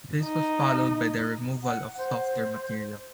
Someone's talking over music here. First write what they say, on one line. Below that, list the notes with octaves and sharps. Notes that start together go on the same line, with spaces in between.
This was followed by the removal of softer material.
D#4
F#5
C5